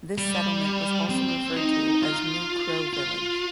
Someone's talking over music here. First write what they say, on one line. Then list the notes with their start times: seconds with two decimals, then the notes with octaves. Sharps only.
This settlement was also referred to as New Crow Village.
0.18 G3
1.10 C4
1.57 D#4
2.02 F4
2.93 F4